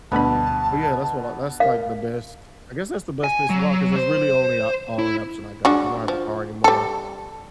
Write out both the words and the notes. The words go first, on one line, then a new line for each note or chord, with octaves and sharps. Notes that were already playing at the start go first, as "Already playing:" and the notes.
but, yeah, that's what I that's like the best I guess that's the best place to walk 'cause that's really only o only option I got, I don't have a car anymore,
D2 G2 B2 B3 A5 B5
A#4 F5
G#5
F#3
C5
E4
G#3 D4 F#4
F3
G3 A4